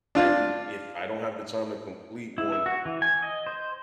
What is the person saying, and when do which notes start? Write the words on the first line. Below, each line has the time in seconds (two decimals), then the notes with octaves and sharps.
that you "If I don't have the time to complete one,"
0.15 D4 F4
2.38 E4
2.52 E5
2.66 F#4
2.85 E3
3.02 G#5
3.22 D#5
3.47 C5